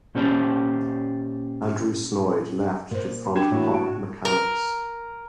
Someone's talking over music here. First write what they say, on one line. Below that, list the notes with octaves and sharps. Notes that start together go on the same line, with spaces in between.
Andrew Snoid left to front Pop Mechanix.
A#2 C#4 G4 C5 D5 A5
A#2 A#4 C5
D4 F#4 G4 G5 G#6 E7
A2 E3 A#3 F#4 C#5
D7
A#4